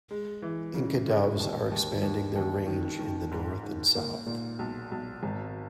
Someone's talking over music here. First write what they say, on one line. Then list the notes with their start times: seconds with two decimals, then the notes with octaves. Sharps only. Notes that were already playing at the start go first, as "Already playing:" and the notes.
Inca doves are expanding their range in the north and south.
0.11 G#3
0.42 E3
0.74 C#3
1.08 G#3
1.40 D#2
1.72 D#2
2.03 D#2
2.36 D#2
2.67 D#3
2.99 D#3
3.32 G#2
3.63 G#2
3.95 A#3
4.26 A#2
4.59 B1
4.91 B1
5.23 G#1